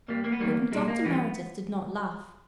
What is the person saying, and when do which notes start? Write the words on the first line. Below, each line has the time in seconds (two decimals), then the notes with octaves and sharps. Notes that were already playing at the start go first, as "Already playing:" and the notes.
But Dr. Meredith did not laugh.
0.08 G2 G3 A#3
0.24 A#3
0.32 B3
0.40 E2 D#3 G3 A#3
0.72 B1 A#2 G3 G#3
0.88 A#3
1.04 G2 E3 G3 B3